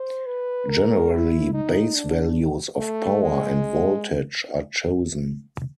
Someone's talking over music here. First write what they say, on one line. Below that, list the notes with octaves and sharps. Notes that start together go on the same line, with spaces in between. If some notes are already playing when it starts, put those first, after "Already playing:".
Generally base values of power and voltage are chosen.
Already playing: C5
B4
A#4
E4
D#4
D4
A3
G#3